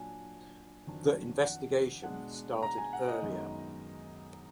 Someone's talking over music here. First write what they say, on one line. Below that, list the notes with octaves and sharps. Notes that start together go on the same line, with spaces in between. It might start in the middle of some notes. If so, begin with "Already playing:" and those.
The investigation started earlier.
Already playing: A#2 F#3 D4 G#5
F2 D#3 F#3 D4
F#5
B2 G#3 D4 F#5
A#5
G#5
F#5
D#5
F#2 D#3 G#3 B3 D#4